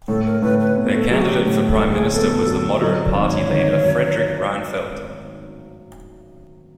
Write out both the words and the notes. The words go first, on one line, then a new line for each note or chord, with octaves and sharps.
Their candidate for Prime Minister was the Moderate Party leader, Fredrik Reinfeldt.
A2 A4
A#4
A2 B4
B4
B3
A4
F#3 G#4
F#4
G4
A2 G4
A4
A2
G#4
B3 A4
F#3
F#3 D#5
D5
G#1
C#5
D#3
F#2